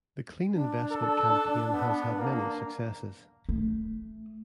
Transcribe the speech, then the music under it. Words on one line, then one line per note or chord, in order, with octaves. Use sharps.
The Clean Investment campaign has had many successes.
D4
A4
B3
A#3
A3